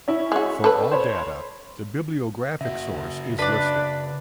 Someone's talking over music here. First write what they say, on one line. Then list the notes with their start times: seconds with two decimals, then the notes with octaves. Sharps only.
For all data the bibliographic source is listed.
0.08 C#4 E4
0.32 G#3 F#4
0.64 A4 B4
0.92 C5 C#5 B5
2.61 C#3 F#4 E5
3.38 D4 B4 D5